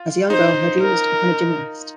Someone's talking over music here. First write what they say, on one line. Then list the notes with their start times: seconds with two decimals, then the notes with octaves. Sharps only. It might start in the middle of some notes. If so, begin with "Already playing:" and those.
As a young girl, her dream was to become a gymnast.
Already playing: F4
0.30 D#4 C5
0.82 A#4